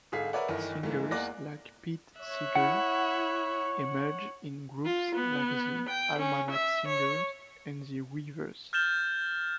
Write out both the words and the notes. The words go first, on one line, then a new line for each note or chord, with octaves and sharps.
Singers like Pete Seeger emerged, in groups like the Almanac Singers and The Weavers.
G#1 D3 G#4 F5 B6
A#4 B4 C#5 D5 E5 F#5
G1 D#3 E3
G#2 E3 A3 A#3
E2 A#3 D5 D6 F#6 A#6
C#5 E5 F#6
E4 F#5
F4
B3
G5
C#4
E5
C#5
F6 G6 A6 E7 G7